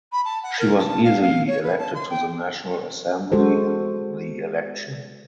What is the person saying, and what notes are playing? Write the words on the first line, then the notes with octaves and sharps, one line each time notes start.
She was easily elected to the National Assembly in the election.
B5
A5
F#5
A#4
A5
F5
F5
C#5
B4
A5
C6
G5
G#3 F#4 A4 C5